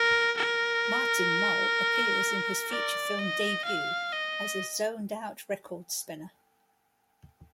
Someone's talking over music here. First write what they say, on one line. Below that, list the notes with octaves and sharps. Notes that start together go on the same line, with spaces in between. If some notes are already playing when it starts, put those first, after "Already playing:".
Martin Mull appears in his feature film debut as a zoned-out record spinner.
Already playing: A#4
A#4
D5
D#5
F5
D#5